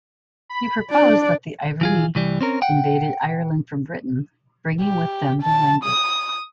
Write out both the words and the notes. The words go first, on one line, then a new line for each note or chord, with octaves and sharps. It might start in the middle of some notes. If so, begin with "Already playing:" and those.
He proposed that the Iverni invaded Ireland from Britain, bringing with them the language.
B5
D4 D5
E3 F4 G#4
C2 E3 G3
C4 C#4 A#4
F#5 G5
G4
A5
D#6